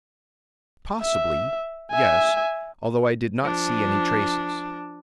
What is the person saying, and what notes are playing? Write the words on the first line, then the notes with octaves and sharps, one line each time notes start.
"Possibly, yes, although I did not see any traces."
E5
E5 G#5
F3 D4